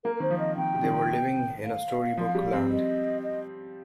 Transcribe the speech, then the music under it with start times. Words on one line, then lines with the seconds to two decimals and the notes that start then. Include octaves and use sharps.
They were living in a storybook land.
0.04 A#3 A#4
0.16 A#4
0.20 D#3 C5
0.31 F3
0.39 D#5
0.57 D#3 G5
0.74 C3
0.84 D#3
1.64 F5
2.17 F3
2.35 G3
2.52 C4
2.70 D#5
3.24 D#5